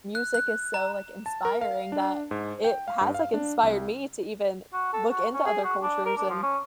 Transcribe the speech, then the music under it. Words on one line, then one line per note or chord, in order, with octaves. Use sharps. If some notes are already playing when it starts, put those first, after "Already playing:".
music is so, like, inspiring that it has, like, inspired me to even look into other cultures and
F#6
F#6
A#5
A5
A#4
F5
D4
G#2
G5
F5
G2
F5
D4
C2
F#4
A4
F#4
C#4
G#4
F#4
D4
A#4
D4
F3
C#4